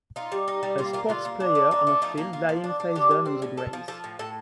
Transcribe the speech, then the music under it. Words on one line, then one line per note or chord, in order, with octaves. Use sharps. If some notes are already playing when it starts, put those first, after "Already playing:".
A sports player on a field lying face down on the grass.
D#4 F4
G3
D#4
G3
A#3 F4
A#3 F4
D3 F4
A#3
D4
A3
D4 D#4
A3
F3 D#4
A#3
A#3 F4
F3
D4
D4
D3 G4
G3
C4
A2
F3 A4
F3
F3 A4
A2
A2 A4